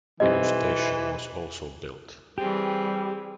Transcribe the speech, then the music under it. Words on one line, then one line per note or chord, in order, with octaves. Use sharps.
A new station was also built.
B1 E3 G3 C4 D#5
E3 G3 C4 G4 G#4